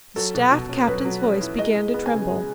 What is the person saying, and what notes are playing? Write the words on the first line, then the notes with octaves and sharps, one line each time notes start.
The staff captain's voice began to tremble.
F#3 A4
B2
B2
C#4
F#3 B4
F#3
C#4
E4
G#3 D#5
G#3
B3
G#5
C#3
G#3